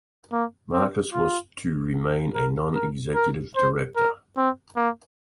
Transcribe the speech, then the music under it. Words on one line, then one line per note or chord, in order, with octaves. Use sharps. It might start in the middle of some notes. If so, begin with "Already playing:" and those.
Marcus was to remain a non-executive director.
A#3
C4
F4
A#4
A#4
A#4
C5
A#4
C4
A#3